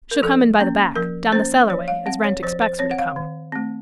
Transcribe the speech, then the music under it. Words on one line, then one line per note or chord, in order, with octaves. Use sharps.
She'll come in by the back, down the cellarway, as Wrent expects her to come.
A#4
F3 A4
A#3 C#4
F3 A#4
A#3 C#4 C5
F3 C#5
F5
C4 F#5
C#5
F3 C5
C5
C4 C#5
F#5
F5
D#3
A3 C4